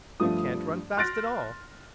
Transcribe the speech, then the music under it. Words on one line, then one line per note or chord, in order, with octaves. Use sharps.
You can't run fast at all.
G2 F3 A3 D#6
C6 F6 F#6 A6 A#6 D7